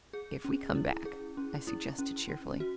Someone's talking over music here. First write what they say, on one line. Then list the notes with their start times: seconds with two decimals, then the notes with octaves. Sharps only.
"If we come back," I suggested cheerfully.
0.13 G#4
0.44 C#4
0.75 E4
1.05 G#4
1.37 C#4
1.67 E4
1.98 C#4
2.29 C#4
2.60 F#4